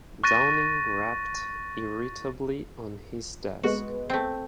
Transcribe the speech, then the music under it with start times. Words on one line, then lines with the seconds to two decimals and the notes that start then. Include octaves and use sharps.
Downing rapped irritably on his desk.
0.24 C#6 F#6 A6 A#6 D#7
3.63 G#3 B3 F#4
4.10 A3 C4